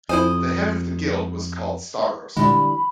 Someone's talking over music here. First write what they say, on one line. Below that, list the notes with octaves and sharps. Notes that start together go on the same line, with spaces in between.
The head of the guild was called "staroste".
F2 E4 C5 D#5 G#5
A#2 D3 E3 G3 G#3 B5